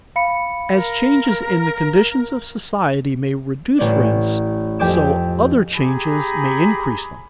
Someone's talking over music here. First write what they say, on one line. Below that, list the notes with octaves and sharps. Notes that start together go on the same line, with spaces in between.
As changes in the conditions of society may reduce rents, so other changes may increase them.
F5 B5 C#7
A#4
A1 C#5 D5
F2 G4 D#5 G#5 D6 E7
G4 G#4 G#5 A#5 B5